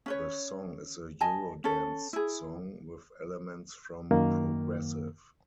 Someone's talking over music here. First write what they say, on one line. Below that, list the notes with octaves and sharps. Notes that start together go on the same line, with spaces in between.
The song is a Eurodance song with elements from Progressive.
C#4 B4 C#5
D#5 G#5 A5
C#4 A4
E4 G#4
F#2 D#3 A#3